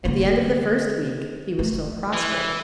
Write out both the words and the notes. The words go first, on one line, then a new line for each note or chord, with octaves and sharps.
At the end of the first week he was still prostrate.
D3 A#3
A3
E3